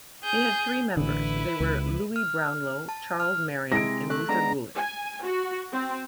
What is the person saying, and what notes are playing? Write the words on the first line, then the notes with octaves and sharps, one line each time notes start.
It had three members; they were Louis Brownlow, Charles Merriam, and Luther Gulick.
G#4 G6
A1 D3 E4 B4
C#2
F6
A5
F6
C3 G#3 E4 A#6 D7
A3 F#6
G#3 B3 D4 A#5
G#5
F#4
C4